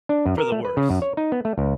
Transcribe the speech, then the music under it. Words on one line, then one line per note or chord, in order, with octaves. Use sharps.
for the worse.
D4
F#2
A#4
A3
B4
C#3
F#2
C#5
D#4
B3
A3
C#2